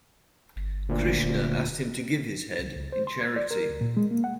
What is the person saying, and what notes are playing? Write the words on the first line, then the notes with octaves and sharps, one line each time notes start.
Krishna asked him to give his head in charity.
G1
D2 A#2
D#1
C2
C#2
C5
C6
G#6
D5
A#4
D2
A#2
G#3
A#3
F#5